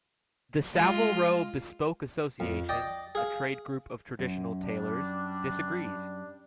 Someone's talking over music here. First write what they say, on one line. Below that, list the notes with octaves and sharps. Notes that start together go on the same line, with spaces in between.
The Savile Row Bespoke Association, a trade group of traditional tailors, disagrees.
G#3 F4
F2
D5 D#5 G5 D6
G#4 F5
F#2
G3 D4